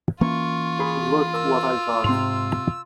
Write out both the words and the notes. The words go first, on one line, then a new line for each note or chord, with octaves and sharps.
Look What I Got!
E3 A#3 C#4 F4 C#6
G#4 B5
A#4 E6
G#2 C3 C6 F7